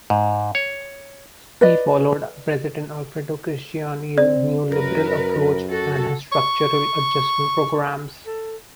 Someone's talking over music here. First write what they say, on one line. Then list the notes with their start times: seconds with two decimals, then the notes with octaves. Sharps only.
He followed president Alfredo Cristiani's neoliberal approach, and his structural adjustment programs.
0.10 G#2
0.55 C#5
1.61 B4 D5 D#5
4.18 C4 D5
4.71 F#2 A#4 B4
5.69 F#4 A4
6.32 C#6
8.27 A4